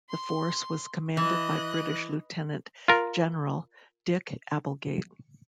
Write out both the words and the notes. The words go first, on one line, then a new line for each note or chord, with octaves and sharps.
The Force was commanded by British Lieutenant General Dick Applegate.
C6
E3 D#5 F#6
F4 A#4